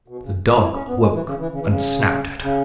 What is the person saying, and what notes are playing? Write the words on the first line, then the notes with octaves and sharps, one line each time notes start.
The dog awoke, and snapped at her.
B2
C#3
E4
C#4
B3
G#3
E3
C#3
E3
C#3
E3
C#3
C#3